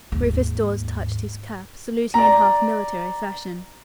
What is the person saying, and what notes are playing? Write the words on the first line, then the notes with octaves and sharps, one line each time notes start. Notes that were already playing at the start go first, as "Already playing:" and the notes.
Rufus Dawes touched his cap, saluting in half military fashion.
D#2 G#2
D5 A#5